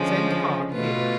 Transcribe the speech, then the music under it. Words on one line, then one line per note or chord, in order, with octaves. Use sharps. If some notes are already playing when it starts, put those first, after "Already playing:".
Send Hahn here.
Already playing: D3 F3 G#3 C#4
B2 A3 F4 B4